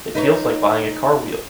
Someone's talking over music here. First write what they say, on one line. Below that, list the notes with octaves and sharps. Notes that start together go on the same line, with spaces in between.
It feels like buying a car wheel.
D#4 B4 C#5